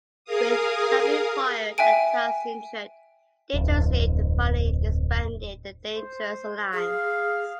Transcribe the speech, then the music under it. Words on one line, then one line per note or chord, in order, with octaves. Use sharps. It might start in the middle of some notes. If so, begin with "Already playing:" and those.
With Sabu fired and Taz injured, Dangerously finally disbanded The Dangerous Alliance.
G#4 A#4 F5 D#6
E5 G5 G#5 D7
D1 F2
C5
G#4 F5